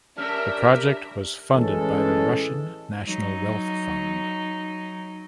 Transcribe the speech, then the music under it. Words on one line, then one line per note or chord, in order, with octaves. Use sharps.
The project was funded by the Russian National Wealth Fund.
G3 A3 C#4 D4 A#4 E5 F6
A1 E3 G#3 C#4 A4
F#3 D#4